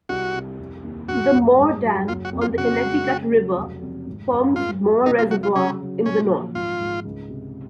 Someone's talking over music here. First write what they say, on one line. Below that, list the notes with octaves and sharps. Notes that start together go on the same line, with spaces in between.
The Moore Dam on the Connecticut River forms Moore Reservoir in the north.
C2 F#4
C3
F1
D#2
G#1 F#4
F#2
G#2
F#3
F#1 F4
F#4
F2
F4
C#3 F#4
G#3
C#3
F#3
F1
F2
G#1
F#2
G#2 F4
F#3
C3 D#4
F4
F#3 F#4
F4
C#3 C#4
F#3
A#2 C#4
F3
G#1 F4
G#2
C#2
C3